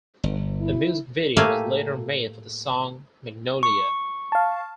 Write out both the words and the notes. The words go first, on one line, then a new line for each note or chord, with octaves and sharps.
A music video was later made for the song "Magnolia".
G1
E4
A2 A3 A#3 G4 F5 G#5
C#6
F5 A5